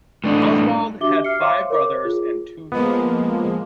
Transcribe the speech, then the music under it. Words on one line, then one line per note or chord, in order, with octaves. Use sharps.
Oswald had five brothers and two sisters.
A2 A3 D4 D#4
D4 F#4 G4 E5 D6 G7
E5 F6 C7 C#7
C5 C#5 E5 F5 C6 D6
A#4 C#5 D#5 D6
F4 G#4
F3 G#3 A#3 B3